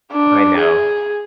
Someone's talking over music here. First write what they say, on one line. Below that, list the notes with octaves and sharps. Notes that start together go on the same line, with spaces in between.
I know.
D4
G#4